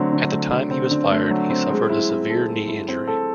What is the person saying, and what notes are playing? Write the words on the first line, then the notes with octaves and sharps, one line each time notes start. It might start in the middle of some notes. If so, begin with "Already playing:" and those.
At the time he was fired, he suffered a severe knee injury.
Already playing: D3 F#3 A3 C4
D3
A3
F#3
C4
D3
A3
F#3
C4
G#3
E4
C4
A4
G#3
E4
C4
A4